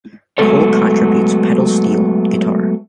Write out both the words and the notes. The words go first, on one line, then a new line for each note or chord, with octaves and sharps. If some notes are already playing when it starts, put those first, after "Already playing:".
Cole contributes pedal steel guitar.
F#3 G#3 A3 B3 A4 C#5